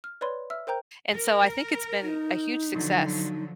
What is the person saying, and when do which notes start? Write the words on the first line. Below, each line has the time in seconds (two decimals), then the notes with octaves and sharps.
and so I think it's been a huge success.
0.04 F6
0.21 B4 C#5 D5 B5 C6
0.50 E5 E6 F6
0.67 A#4 C5 G5 A#5 G6
1.14 A#4
2.03 D#4
2.72 D3 F3 F#3